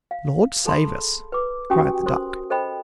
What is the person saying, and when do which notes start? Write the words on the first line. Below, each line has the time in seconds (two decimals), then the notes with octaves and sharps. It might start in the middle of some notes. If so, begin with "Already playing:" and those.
"Lord save us!" cried the duck.
0.11 F5
0.65 G#4 A4 A5 B5 C6
1.32 B4 D6
1.70 C#4 F#4 G4 G5 G#5 D#6
2.06 A#4 C5 C6 D#6
2.50 A4 C5 D#5 G5 B5